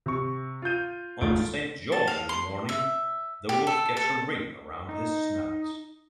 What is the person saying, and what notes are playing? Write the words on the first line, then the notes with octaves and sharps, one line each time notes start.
On St. George's morning, the wolf gets a ring around his snout.
C3 C#6
F4 F5 G6 D#7
E1 A3 F4 D7
A5
F5
C6
E5
G4
A4
A4
D#4